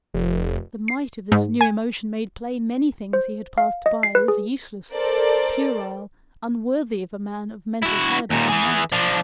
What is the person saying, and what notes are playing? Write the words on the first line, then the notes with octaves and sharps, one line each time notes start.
The might of this new emotion made plain many things he had passed by as useless, puerile, unworthy of a man of mental calibre and might.
F1
C7
G#2
G#5
C5
F5
D#5
C7
B4
G#4
A4 A#4 C5 D5
E4 F#4
D#2 A#2
E3 G#4
F3 D4